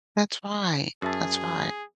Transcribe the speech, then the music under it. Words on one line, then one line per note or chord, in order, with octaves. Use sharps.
That's right. That's right.
F#2 G#4 E5 A5